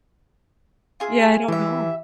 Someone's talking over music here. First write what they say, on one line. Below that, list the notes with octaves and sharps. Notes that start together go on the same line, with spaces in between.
Yeah, I don't know.
F4 G#4 E5
E3 G4 E5